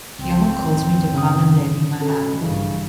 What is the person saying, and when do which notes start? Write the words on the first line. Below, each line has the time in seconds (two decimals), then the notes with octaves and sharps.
He often calls me to come and lend him a hand.
0.19 C#2 F#2 C4
0.55 F#2 A2
1.14 C#3 D#6
2.01 B2 C#4 A4
2.41 A#1 G2 C#3 E3 G3